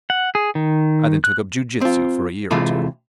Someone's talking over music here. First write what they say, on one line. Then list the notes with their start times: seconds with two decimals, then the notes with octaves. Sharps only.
I then took up jiu-jitsu for a year or two.
0.10 F#5
0.35 G#4
0.55 D#3
1.24 F#6
1.81 C4 F4
2.51 C3 E3 G#3 A3 F4 A4